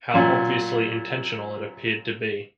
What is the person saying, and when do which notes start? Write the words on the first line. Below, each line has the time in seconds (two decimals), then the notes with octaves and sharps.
How obviously intentional it appeared to be.
0.14 F#2 A#2